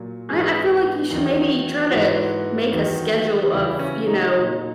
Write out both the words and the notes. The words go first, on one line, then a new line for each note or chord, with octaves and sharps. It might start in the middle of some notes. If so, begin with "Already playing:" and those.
I I feel like you should, maybe, try to, uh, make a schedule of, you know
Already playing: A#2 F#3
G#2 E3 G#4
E2 D#3 F#3
G#2 E3 F#4
E2 D#3 F#3
E2 C#3 F#3 E4
C#4
D#4
A#2 F#3